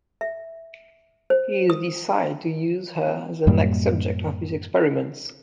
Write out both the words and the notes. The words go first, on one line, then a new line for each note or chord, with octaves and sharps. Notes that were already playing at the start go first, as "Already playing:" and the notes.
He has decided to use her as the next subject of his experiments.
E5
C5
D#6
F#2 A2 G3 A#3